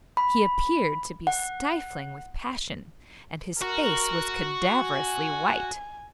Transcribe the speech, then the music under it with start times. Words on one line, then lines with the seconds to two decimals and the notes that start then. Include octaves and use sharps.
He appeared to be stifling with passion, and his face was cadaverously white.
0.17 B5
1.27 F#5
3.62 F#4 A#4
4.75 G#5